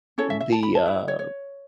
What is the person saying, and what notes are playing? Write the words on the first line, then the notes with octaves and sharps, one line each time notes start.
the, uh,
C#4 E4 A4 C#5
E5
E5
A5
B5
A5
E4 B4
C#5
C#5